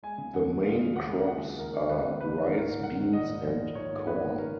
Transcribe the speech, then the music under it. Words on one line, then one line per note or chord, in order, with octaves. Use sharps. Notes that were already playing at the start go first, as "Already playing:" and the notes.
The main crops are rice, beans, and corn.
G#3 G#5
C#3
D#2 F#5
F3
G#3 F5
C#3
D#2 F#5
F3
G#3 F#5
C#3
D#2 A#4
F3
G#3 B4
C#3
D#2 B4
F3
A#1 A#4
G#2
A#1 F#5
D#3
A#1 D#5
G#2
A#1
D#3
A#1 C#5
G#2
A#1 B4
D#3
A#4